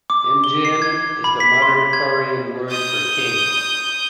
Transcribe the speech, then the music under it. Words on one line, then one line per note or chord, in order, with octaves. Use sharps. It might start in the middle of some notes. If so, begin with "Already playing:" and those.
"Imgeum" is the modern Korean word for "King".
D6
G7
C7
G#6
B5
B6
C6
G#6
D#6 G6